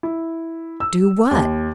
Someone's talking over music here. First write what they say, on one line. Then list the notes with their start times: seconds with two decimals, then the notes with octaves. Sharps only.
"Do what?"
0.03 E4
0.80 E6
1.31 D#2